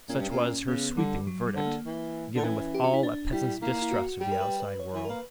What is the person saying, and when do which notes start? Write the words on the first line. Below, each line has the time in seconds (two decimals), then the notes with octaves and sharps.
Such was her sweeping verdict, given with all a peasant’s distrust of the outside world.
0.09 A#2 C#4
0.19 G2
0.30 A#2
0.68 C#3 B3
0.97 D3 G3
1.27 F#3
1.46 G3
1.56 D3
1.66 A#3
1.85 E3
2.35 D3 D4
2.44 E3 C#4
2.74 G4
2.84 F#4
2.94 E4
3.03 D4
3.33 G3 E4
3.62 A#3 E4
3.82 E4
3.91 F#4
4.21 G3 G4
4.32 A#4
4.41 B4
4.60 B4
4.80 C#5
4.94 E3 B4
5.05 A#4
5.09 A#3 B4